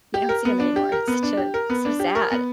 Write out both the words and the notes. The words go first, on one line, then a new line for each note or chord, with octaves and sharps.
You don't see 'em anymore. It's ju so sad.
G4
A#4
B3
D4
G4
A#4
B3
D4
G4
A#4
B3
D4
G4
A#4
B3